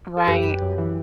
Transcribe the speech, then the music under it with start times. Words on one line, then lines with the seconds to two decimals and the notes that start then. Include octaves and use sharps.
Right, mm.
0.17 A4
0.27 F#2 G4 B4
0.44 F#2
0.62 F#2
0.78 E3